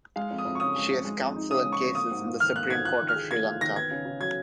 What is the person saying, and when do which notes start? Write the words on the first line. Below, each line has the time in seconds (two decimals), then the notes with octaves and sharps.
She is counsel in cases in the Supreme Court of Sri Lanka.
0.16 G#3 F5
0.30 F2
0.38 D#6
0.45 F2
0.55 C#6
0.60 C#3 D#6
0.76 G#3
0.90 F2
1.05 G#3
1.21 F2
1.36 D#4
1.50 C#3 D#6
1.66 G#3
1.72 C#6
1.81 F2
1.95 A#3 D#6
2.11 G#2
2.26 F4
2.40 D#3 F6
2.56 A#3 F#6
2.70 G#2 G#6
2.85 F4 F#6
3.01 D#3
3.09 F6
3.16 G#4
3.31 A#3 G#6
3.46 F4
3.60 D#3 A#6
3.76 B3 G#6
3.91 C#3
4.05 C#3
4.20 F#3 G#6